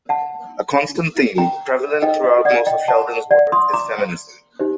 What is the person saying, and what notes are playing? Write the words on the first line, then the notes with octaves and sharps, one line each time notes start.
A constant theme, prevalent throughout most of Sheldon's work, is feminism.
F#5 A5
G5 A#5
D#4 A4 C5 D#5 G5
D#5
D5 F#5
D#5 G5
F#5 A5
D5 F#5
C6 D#6
A#5 D6
D#4 G4 C5